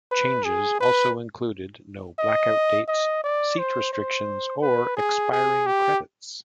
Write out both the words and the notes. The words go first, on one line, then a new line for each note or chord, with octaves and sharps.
Changes also included no blackout dates, seat restrictions or expiring credits.
B4
G#4
B4
D#5
D#5
D5
C5
C5
B4
G#4
G#4
G4